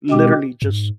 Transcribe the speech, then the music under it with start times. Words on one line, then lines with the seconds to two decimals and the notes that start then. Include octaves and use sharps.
literally just,
0.10 B2 G#3 C4 G4
0.62 G2
0.72 G#2